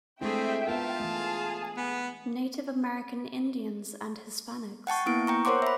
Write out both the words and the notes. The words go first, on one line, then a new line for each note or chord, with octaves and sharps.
Native American Indians and Hispanics.
G#3 A3 C4 D4 E4 G#4 E5 G5
B3 F4 A#4 A5
E3 A3 G#4
B3
F#5 G5 A5 C#6
A#3 B3 E4 D7
G5 A#5 C#6
A#4 C5 C#5 F#5 C6 D6
E5 B5